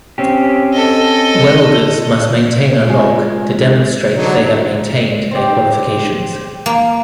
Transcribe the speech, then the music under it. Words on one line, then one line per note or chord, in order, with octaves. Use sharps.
Welders must maintain a log to demonstrate they have maintained their Qualifications.
C4 C#4 G4
A4 D#5
G#3 F4 G#4
D3 F#3 D#4
C4 G4
A#3